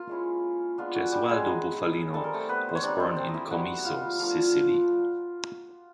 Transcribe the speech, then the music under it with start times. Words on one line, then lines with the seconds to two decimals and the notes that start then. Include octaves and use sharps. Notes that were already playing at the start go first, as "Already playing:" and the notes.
Gesualdo Bufalino was born in Comiso, Sicily.
Already playing: A#3 F4
0.09 G#3 C#4 E4
0.78 G#3 B3 D4 F4
0.95 F#4
1.12 G3 G4
1.29 G#3 G#4
1.46 F#3 B3 D#4
2.14 G3 C4 D#4 A4
2.24 A#4
2.34 A3 A4
2.49 B3 B4
2.69 C5
2.75 C#5
2.83 G3 C4 D4 D#4 D5
3.00 C4 C5
3.16 C4 C5
3.29 D#5
3.34 E4 E5
3.51 G3 B3 D#4 F#4 F#5
3.85 F4 F5
4.19 F3 A3 D4 F4 F5